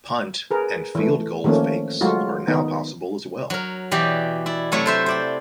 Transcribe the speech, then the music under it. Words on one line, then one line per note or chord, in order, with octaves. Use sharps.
Punt and field goal fakes are now possible as well.
G#4 A#4 B4
E3 A3
D#3 F3 A3 A#3 C#4
F#3 G#3 A3 F4 F#4
D#3 B3 D#4
F#3 A#4
B2 E3 G4 D5
E4 D5
C3 F#3 A3 E4 C#5
A4 C5 E5
C5 D5 G5